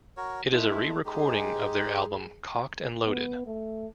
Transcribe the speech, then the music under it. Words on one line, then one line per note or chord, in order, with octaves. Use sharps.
It is a re-recording of their album "Cocked and Loaded".
F#4 A#4 C#5
F2 G#3 A3 E4
G#3 D#4 G4 G#4
B3
A3